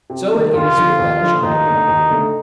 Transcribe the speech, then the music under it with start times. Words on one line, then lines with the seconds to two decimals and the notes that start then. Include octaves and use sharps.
So it is with that china dog.
0.10 C3
0.32 D#3 G3
0.54 D#2 F4
0.77 D3 F3
0.99 D#2
1.21 D3 F3
1.43 D#2 D#4
1.65 D3
1.70 A3
1.88 D#2
2.10 D3 A3